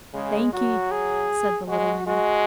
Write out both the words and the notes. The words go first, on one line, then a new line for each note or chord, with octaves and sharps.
"Thankee," said the little man.
C#3 G#3
F#3 F#4
G#4
G#3 F#4
G#3 F#4